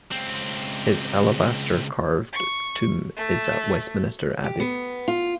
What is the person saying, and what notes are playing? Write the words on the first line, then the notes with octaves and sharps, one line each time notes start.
His alabaster-carved tomb is at Westminster Abbey.
C#2 C4
C#6
A3
G4
B3
F4